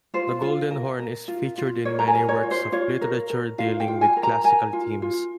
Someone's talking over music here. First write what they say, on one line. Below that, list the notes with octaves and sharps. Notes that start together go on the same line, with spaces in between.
The Golden Horn is featured in many works of literature dealing with classical themes.
F4 C5
F4
A#4
A#4
F4
F4
A#4 C#5
A#5
G#5
A#4
C#5
F4
C5
F4 C#5
A#4
A#4
F4 F5
G5
F4
G#5
A#4
A#5
A#4 G#5
F4
F4